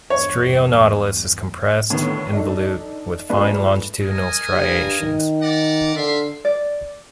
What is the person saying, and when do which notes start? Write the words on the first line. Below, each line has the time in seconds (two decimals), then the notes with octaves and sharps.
"Strionautilus" is compressed, involute, with fine longitudinal striations.
0.10 E2 G2 C#5
1.90 A2 D3 D#3 B3
2.33 D4 D#4 A4
3.30 G#3 A3 D4 F4 B4
4.02 A#4 D#5 G#5
4.50 G2
5.00 D#3
5.41 D5 F#5 A#5
5.96 D3 E5 F5 C6
6.45 D5